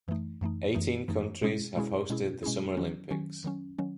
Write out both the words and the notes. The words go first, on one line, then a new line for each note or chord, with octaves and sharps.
Eighteen countries have hosted the Summer Olympics.
F#2 E3 A3 D#4
F#2 E3 A3 D#4
F#2 E3 A3 D#4
F#2 E3 A3 D#4
B2 G#3 C#4 E4 G#4
B2 G#3 C#4 E4 G#4
B2 G#3 C#4 E4 G#4
B2 G#3 C#4 E4 G#4
D#3 F#3 C#4
D#3 F#3 C#4
D#3 F#3 C#4
D#3 F#3 C#4